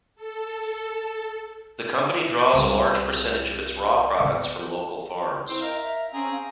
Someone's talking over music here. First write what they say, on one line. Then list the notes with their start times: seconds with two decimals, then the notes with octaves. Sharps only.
The company draws a large percentage of its raw products from local farms.
0.16 A4
2.53 C2
4.20 C3 B3
5.49 C4 E4 C5
5.61 A#4 D#5 F5
5.76 E5
6.13 C4 C#4 G#4 A#5
6.31 F5